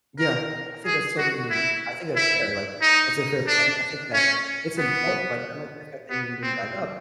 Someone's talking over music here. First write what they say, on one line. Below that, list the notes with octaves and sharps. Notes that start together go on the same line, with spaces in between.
Yeah, I think that's totally I think that's fair, like, that's a fair point, I think that it's important, like, I like the fact that you even bring that up
A#4
G#4
F#4
E4
E4
D#4
D4
C#4
B3
B3
C4